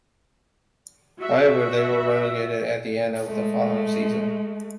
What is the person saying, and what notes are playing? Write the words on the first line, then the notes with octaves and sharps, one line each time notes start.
However, they were relegated at the end of the following season.
F#4 E5
G#3 A3